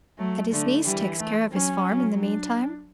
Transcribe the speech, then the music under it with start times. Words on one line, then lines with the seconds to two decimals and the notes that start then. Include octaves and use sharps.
"And his niece takes care of his farm in the meantime?"
0.18 F#3 A3
0.52 D3 A3
0.85 E3 G3
1.19 A3
1.52 F#3 C#4
1.87 F#3
2.20 D4